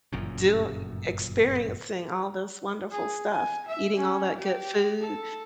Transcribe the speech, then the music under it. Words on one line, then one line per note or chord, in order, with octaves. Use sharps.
doi experiencing all this wonderful stuff, eating all that good food."
G1 F#2 A#2 C#3
G#4
G#5
E5
C#4
G4
A4